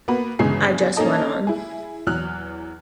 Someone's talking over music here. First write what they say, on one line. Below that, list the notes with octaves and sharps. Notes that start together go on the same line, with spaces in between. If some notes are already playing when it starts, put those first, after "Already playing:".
I just went on.
A#3 B3 F#4 B4
G1 C#3 E3 G#3 G#5 C7
A#3 C#4 D#4 A4 D#5 A5
E4 G#4
E2 E3 F#3 F6 F#6